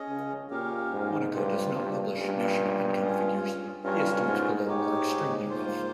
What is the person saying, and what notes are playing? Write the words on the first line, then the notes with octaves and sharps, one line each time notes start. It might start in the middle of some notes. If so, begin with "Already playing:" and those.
Monaco does not publish national income figures; the estimates below are extremely rough.
Already playing: C#4 G#4 D#5
C#3
A#2 C#4 G4 A#4 F5
G#2
G2 A#3 F4 C5
G2
G2 A#3 C#4 F4
C#4 F4 G#4
G2 C#4 F4 A#4 C#5
G#2
G#2 D#4 G4 C#5
A#3 F4 C5